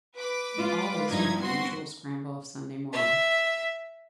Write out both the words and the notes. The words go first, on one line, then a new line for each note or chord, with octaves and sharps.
All this was the usual scramble of Sunday morning.
B4 D6
G#3 F4
G2 F3 D#4 E4 G#6
B3 C4 F#4 C6
E5